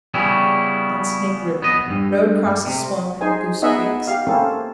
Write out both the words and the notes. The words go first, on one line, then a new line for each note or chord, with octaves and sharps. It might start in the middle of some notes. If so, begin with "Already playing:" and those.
On Snake River.--Road crosses Swamp and Goose Creeks.
C#3 G3 B3 C#4 E4
B3 D#5
B1 G2
C3
D#4 G#4 C5 G#5
B3 D#4 G#4 D#5 E5 F#5
G4 F5
A#3 C4 C#4 E4 A4